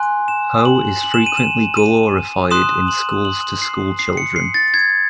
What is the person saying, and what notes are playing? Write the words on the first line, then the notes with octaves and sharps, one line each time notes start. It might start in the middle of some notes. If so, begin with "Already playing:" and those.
Ho is frequently glorified in schools to schoolchildren.
Already playing: G#5 C6 F#6
E7
F#7
F#7
E7
D#7
E7
D#7
C6 D#6 F#6 E7
F#7
F#7
C7
C7
C#7
C7
A6
G#6